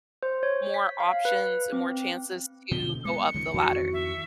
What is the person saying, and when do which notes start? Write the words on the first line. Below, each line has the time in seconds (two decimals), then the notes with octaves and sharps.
more options, and more chances to go up the ladder.
0.23 C5
0.43 C#5
0.74 B6
1.00 F5
1.25 B4
1.73 C4
2.71 B2 D3 F3 G7
3.05 G#3 B3 C#7
3.34 C#2 D#3 F3
3.54 F2 D#3 E3 F#4
3.93 E5